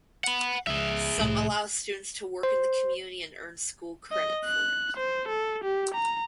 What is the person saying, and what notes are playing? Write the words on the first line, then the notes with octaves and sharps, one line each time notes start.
Some allow students to work in the community and earn school credit for it.
F#5 B5
C#2 G#4 E5
C2 A2
C5
D#5
F#6
C5
A4
G4
A#5